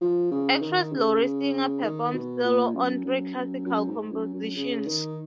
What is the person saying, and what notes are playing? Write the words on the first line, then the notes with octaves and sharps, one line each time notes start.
Actress Lori Singer performs cello on three classical compositions.
F3
C#3
D#3
C#3
D#3
B2
A#2
F#2
F#2
F#2
F#2
G#2
F#2
F#2
C#3
D#3